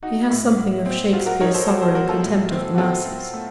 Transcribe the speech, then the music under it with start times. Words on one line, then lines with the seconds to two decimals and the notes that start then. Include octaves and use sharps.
He has something of Shakespeare's sovereign contempt of the masses.
0.03 D#4 F#4
0.30 A2
0.58 A2
0.86 C4
1.13 F#3 F4
1.26 F#4 A#4
1.40 D#4 A#4 C#5
1.54 A4 C5
1.68 F#3 A4 C5
1.82 A4 C5
1.95 F#3 F#4 A#4
2.09 F4 A4
2.23 A2
2.51 C4
2.75 F#4
2.78 C4 F4 A4
3.06 C4
3.34 A3